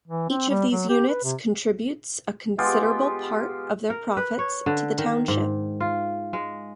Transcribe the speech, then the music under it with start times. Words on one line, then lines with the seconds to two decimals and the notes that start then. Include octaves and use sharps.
Each of these units contributes a considerable part of their profits to the township.
0.08 E3
0.30 C4
0.49 G3
0.71 F#3
0.89 G4
1.08 B4
1.24 C3
2.58 G#3 B3 F4 G4
3.90 A#4
4.17 B4
4.39 C#5
4.66 D3
4.98 D#3
5.28 G#2
5.80 F4
6.33 G#3